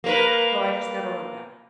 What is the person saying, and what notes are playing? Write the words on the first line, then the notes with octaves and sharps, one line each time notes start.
so I just never went back.
A#3 A#4 B4